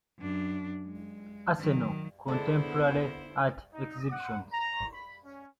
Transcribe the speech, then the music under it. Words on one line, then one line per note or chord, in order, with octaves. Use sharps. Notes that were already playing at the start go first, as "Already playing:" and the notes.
Arsenal: contemporary art exhibitions.
F#2 D4
G#3
D#3 F#3
D3 G#3 B3 E4 A4 C5 D5
D#4
F#5
A#5
B5
C#4